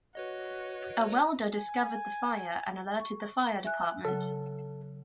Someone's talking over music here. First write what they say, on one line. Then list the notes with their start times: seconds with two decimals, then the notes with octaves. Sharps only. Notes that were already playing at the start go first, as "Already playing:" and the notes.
A welder discovered the fire, and alerted the fire department.
0.15 F#4 B4 C#5 D#5
1.51 G#5
3.00 C#6
3.65 E5 G#5 F#6
4.05 C#3 F#3 A4